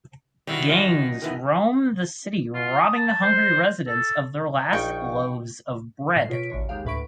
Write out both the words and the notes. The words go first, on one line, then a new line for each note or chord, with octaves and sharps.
Gangs roam the city robbing the hungry residents of their last loaves of bread.
D#3 G3 E4 F#4
C#4 F4 F#4
D#3 E3 B3
F4
D#6
A5
C5
A4
A#1 D#4 F5 G5 C#6
A2 C7
B2 F4 C#5 B6 D7
A1 F#2 D3 C#5
D#2 G#3 A#3 G4 F5
D2 A2 B4 B5 C#6 D7